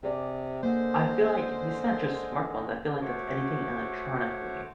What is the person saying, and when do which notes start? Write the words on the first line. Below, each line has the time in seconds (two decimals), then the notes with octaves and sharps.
I feel like and it's not just smartphones, I feel like that's anything electronically.
0.03 C3 G#4 D5
0.63 D3 G#3 A#3 C5
3.02 A3 F#4 C5 C#5 D6